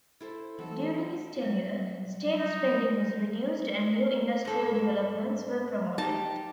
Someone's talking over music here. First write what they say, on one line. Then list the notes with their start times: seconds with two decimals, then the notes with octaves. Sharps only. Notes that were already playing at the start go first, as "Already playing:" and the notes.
During his tenure, state spending was reduced and new industrial developments were promoted.
0.21 E4 A4 C5
0.59 E3 F#3 C4 D#4 A4
1.41 F#3 G3
2.39 D#4
4.45 G#2 A4
5.98 D#4 G4 A5